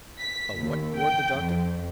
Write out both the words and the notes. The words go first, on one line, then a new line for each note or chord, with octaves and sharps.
"A what?" roared the Doctor.
B6
D#2
G5
F2